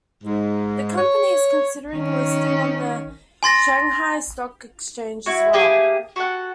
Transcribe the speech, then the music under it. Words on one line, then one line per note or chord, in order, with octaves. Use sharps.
The company is considering listing on the Shanghai Stock Exchange as well.
G#2
C#5
D#3 C#4
G#5 C6 A6 A#6
E4 F#4
A3 A#3 G4 G#4
F#4 A4 F#5